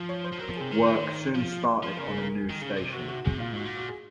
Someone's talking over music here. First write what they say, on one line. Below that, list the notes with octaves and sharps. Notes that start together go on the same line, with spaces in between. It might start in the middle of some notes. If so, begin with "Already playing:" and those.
Work soon started on a new station.
Already playing: F3
C#5
C5
F3
F#3 A#4
F3
G#4
C3
D#3 A#4
C5
C#5
C5
F3
F3
C#3 A#4
G#4
A#4
D#3
C#3
C3
F#4
F#4
C3 G#4
A#2 F4
G#2 F#4
A#2
F#4
G#4